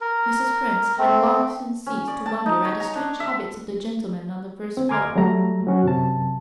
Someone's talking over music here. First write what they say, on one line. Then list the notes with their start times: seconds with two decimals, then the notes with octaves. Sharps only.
Mrs. Prince had long since ceased to wonder at the strange habits of the gentlemen on the first floor.
0.01 A#4
0.99 A3 C4
1.86 C#4
2.08 D5
2.26 A5
2.46 D#4
2.65 C#5
2.80 A#5
2.95 D4
3.20 E5
4.77 C4
4.89 G#5 A#5 C6 D6 F6 G#6
5.16 F#3 G3 A3 A#5
5.67 F#3 C#4 F#4
5.84 F#2 C3 A5